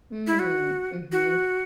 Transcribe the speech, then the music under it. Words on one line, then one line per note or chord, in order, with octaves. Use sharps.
Mm, mhm.
E4
F#4
F#4